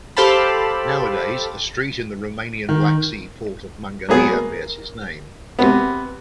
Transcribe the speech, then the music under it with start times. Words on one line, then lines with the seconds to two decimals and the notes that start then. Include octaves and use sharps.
Nowadays, a street in the Romanian Black Sea port of Mangalia bears his name.
0.17 G4 A4 C5 F5 A5 B5
2.69 D#3
4.09 F#3 B3 G#4
4.29 A#3
5.59 C3 B3